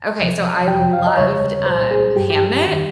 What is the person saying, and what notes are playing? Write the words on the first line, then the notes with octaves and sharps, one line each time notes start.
Okay, so I loved, um, Hamnet.
C#2 C3 F3
F2 C3 F3 G5
F5
D#5
D#2 C#3 G3 C#5
C2 A#2 G3 C5
G#4
G2 G3 G4
G4
F2 D#3 G3